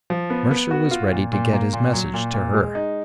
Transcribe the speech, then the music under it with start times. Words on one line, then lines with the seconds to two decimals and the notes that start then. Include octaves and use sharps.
Mercer was ready to get his message to her.
0.10 F3
0.30 B3
0.51 B3
0.71 F#4
0.91 F4
1.12 A#2
1.33 A#2
1.53 A#3
1.73 A#2
1.93 F#3
2.14 A#2
2.34 A#2
2.54 G#3
2.75 D#4